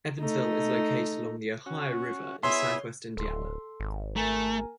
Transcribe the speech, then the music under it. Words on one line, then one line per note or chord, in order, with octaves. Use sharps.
Evansville is located along the Ohio River in southwest Indiana.
A3 D#4
C#4 F#4
B3 E4 G#4 C#5 E5 C6
D1 A4 C6
G#1
A3 A#4 G#5 A#5